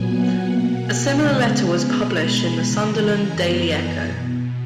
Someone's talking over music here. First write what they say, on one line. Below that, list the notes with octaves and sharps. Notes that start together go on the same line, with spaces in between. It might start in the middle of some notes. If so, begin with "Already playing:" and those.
A similar letter was published in the "Sunderland Daily Echo".
Already playing: A#2 F#3 B3 G#5
F#5
B2 A#3 F#5
G#5
C#3 G#3 B3
B2 G#3 B3 B5
G#5
C#3 E3 G#3 A#5
G#5
F#2 E3 B3 A#5
G#5
B2